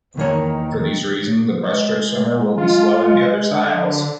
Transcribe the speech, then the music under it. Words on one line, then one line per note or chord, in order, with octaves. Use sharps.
For these reason the breaststroke swimmer, will be slow in the other styles.
E2 D#3 A#3 C#5
G#3
F4
D3